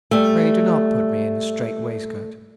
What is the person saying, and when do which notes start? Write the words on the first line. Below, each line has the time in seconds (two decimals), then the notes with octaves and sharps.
Pray do not put me in a strait-waistcoat.
0.11 G3 A3